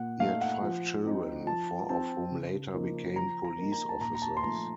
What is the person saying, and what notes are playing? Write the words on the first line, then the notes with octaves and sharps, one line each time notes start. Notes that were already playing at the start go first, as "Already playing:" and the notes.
He had five children, four of whom later became police officers.
Already playing: A#2 F#5
A3 D#4 F5
F#5
F3
C4 D#4
F3 A5
C4 F4 A5
C#3
F3 A#3 D#4
F3 A#5
A#5
A#3 D#4
A#5
A5
A#2 A#5
A#5
A5
C6
F3 A3 A#5